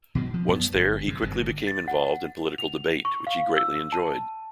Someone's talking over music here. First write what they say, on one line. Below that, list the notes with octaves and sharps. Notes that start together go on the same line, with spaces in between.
Once there, he quickly became involved in political debate, which he greatly enjoyed.
B2 D#3 F#3
F3
F#2 B3
G1
F#2 C3
G1 G2 C3
A6
F#5
F7
C#6
F5
E6
A5